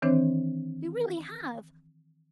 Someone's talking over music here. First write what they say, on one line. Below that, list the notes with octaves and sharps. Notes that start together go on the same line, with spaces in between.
We really have.
D#3 E3 C4 D4 C5 C#5